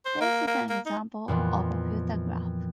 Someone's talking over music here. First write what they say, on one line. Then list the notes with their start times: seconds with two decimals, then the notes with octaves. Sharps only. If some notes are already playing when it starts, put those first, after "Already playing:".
This is an example of a filter graph.
0.06 C5
0.21 A#3
0.48 A#3
0.70 A#3
0.86 D#4
1.28 F2 A#2 E3 B3